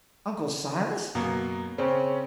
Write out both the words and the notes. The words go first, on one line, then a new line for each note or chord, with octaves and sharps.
Uncle Silas?
F#2 B2 A#3 B3
C#3 C4 C#4